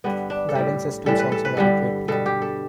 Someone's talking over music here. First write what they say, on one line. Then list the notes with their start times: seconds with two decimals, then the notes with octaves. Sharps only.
Guidance systems also vary greatly.
0.04 G2 D3 G3 B3
0.30 D4
0.49 A4
0.55 A2 G3 G4
1.06 A2 E3 G3 A4
1.19 B4
1.32 A4
1.45 B4
1.57 G2 D3 G3 A4
2.08 B2 G3 A4
2.26 G4
2.42 A4